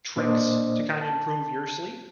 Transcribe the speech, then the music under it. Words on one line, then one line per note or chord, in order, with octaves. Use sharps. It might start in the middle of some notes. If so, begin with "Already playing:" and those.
tricks to kinda improve your sleep?
A#2 A#3 D4 C5 D5 D#5
A5